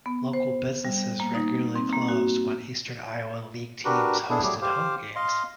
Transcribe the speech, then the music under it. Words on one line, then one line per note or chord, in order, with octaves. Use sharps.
Local businesses regularly closed when Eastern Iowa League teams hosted home games.
B3
C5
G3
A#3
D#4
C4
A#3
F#4
D4 F#4 G4 A#4 B4
B3 D4 E4 G#4 A4
F#3 G3 A3 G4 G#4
G4 C5 F5
D#5 F5 C6